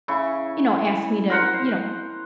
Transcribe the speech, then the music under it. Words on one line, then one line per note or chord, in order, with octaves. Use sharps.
you know, ask me to, you know,
C#3 E4 C#6
A#4 C5 F#5